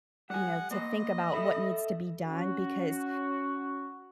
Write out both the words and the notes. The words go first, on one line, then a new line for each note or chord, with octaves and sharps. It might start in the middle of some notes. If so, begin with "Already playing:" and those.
you know, to think about what needs to be done because,
G3 F#5 G#5
A#3 C5 D#5
A4 E5 B5
C#4 F#4